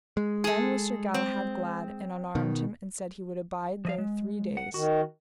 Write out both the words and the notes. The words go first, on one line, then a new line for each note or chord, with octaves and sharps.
Then was Sir Galahad glad, and unarmed him, and said he would abide there three days.
G#3
G#4 A4
C4
B2 D#3
F3 D#5 F5
G#3
F#5
D#3 F#4